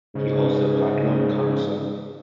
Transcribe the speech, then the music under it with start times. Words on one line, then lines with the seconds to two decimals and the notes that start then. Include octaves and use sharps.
He also had lung cancer.
0.15 G#2 C#3